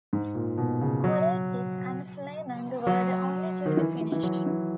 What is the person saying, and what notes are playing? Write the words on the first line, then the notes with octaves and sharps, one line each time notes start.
Kolettis and Flameng were the only two to finish.
G#2
A#2
B2
C#3
F#3
F#3
D#3
E3
E3
E3
F#3
E3